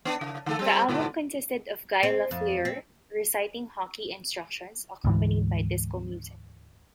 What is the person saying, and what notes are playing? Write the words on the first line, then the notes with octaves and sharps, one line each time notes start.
The album consisted of Guy Lafleur reciting hockey instructions, accompanied by disco music.
B3 D4
C#3
D3 A3 A4
G3 C4
G#2 B2 D3
C4
F2
C4
D2 G#2 E3